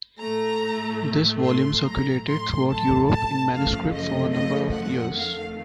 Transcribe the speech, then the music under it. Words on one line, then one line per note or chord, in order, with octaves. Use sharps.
This volume circulated throughout Europe in manuscript for a number of years.
A2 A3 A#5
C6
A2 F#3 A3 A#5
C6
A5
A5
F#2 C#3 F3 A3 F5
D#5
D#5
F#5
F2 D#3 A3 F5